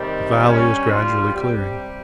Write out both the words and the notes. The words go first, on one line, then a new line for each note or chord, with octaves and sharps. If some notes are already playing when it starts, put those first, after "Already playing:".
The valley is gradually clearing.
Already playing: C3 D#3 G3
G2 G3 C#4
F4
C3 G3 G4